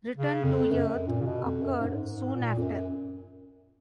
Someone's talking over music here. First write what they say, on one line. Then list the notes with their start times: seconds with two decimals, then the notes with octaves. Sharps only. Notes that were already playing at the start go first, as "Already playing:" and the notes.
Return to Earth occurred soon after.
0.17 C#3
0.44 F2
0.72 F#2
0.89 F#2
1.08 A#2
1.22 C#3
1.26 B2
1.44 F2
1.63 F#2
1.81 G#2
1.87 F#2
1.95 G#2
2.35 A#2
2.58 F2
2.62 F#2